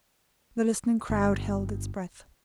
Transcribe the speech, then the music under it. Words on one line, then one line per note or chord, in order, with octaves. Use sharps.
The listening crowd held its breath.
G1